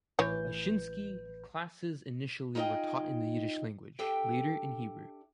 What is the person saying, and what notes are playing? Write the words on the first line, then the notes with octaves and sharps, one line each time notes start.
Ashinsky, classes initially were taught in the Yiddish language, later in Hebrew.
A1 E3 B4 C#5 G6
D#4 F4 G#4 C#5 D#5 G5
D4 G4 A4 E5 G5